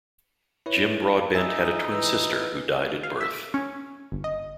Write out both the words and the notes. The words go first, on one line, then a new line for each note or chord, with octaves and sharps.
Jim Broadbent had a twin sister who died at birth.
E4 B4 C#5
D#4 E5 G#5 E6
E3 E6
F5
E5
C#4
G1
D#5